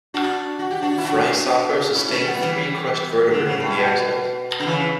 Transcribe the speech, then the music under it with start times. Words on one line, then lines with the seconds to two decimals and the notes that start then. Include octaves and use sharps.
Friesacher sustained three crushed vertebrae in the accident.
0.14 D4 F#4
0.59 F#4
0.71 G4
0.81 D4 F#4
0.98 E4
1.04 D4 F#4
1.95 C#4 E4
2.10 A3 C#4
2.24 G3 B3
2.39 E3 G3
3.31 D3
3.46 C#3
3.60 A2
3.75 B2
4.60 D3
4.66 C#3 E3